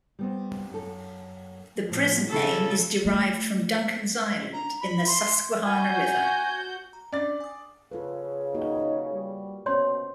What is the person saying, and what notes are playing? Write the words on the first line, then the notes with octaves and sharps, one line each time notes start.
The present name is derived from Duncan's Island in the Susquehanna River.
G3 B3 C4
F#2 A4
F2 A2 F3
C#3 F3 A4
A3 F4
A#5
B5
C6
F#4 G#5 G6
A#5
C#4 D4 D5 A6
G#5 D#6
C#3 F4 A4 B4
A#3 D#4 F#4 G4
G3
B2 C4 C#4 C5 C#5 C6